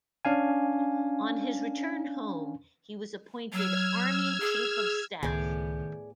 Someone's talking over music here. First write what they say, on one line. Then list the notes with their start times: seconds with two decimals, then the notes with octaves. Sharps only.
On his return home, he was appointed Army Chief of Staff.
0.25 C#4 D4 F5 G#5
3.53 F#3 E6 F6 G#6
4.40 G#4
5.23 C#2 A2 D#3 B3 G#4 D5 G6